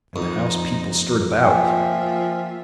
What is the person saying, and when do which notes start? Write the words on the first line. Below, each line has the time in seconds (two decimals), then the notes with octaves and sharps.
In the house people stirred about.
0.16 F2 D#4
1.40 F3 A#3 F4 E5 G5 G#5